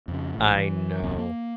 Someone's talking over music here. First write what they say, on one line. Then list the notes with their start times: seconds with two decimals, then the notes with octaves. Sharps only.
I know.
0.08 F2 C#3
0.34 A1 A2
0.58 E3
1.03 D#1 C2 A#2 C4
1.17 A#3